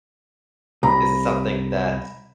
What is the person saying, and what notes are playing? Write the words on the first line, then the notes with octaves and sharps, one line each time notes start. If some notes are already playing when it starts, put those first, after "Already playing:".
This is something that,
C2 A#5 B5